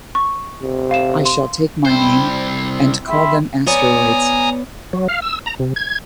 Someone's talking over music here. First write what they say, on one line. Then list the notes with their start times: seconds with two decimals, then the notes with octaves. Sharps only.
I shall take my name, and call them asteroids.
0.15 C#6
0.62 C3
0.91 F5 E7
1.25 C6
1.85 C2 C4 E4 C5
3.08 G#4 E5 G5 B5 C6
3.66 B3 C#5 D5 G#5 A#5 D#6
4.93 F#3
5.08 F5
5.22 E6
5.46 A#5
5.59 C3
5.76 G#6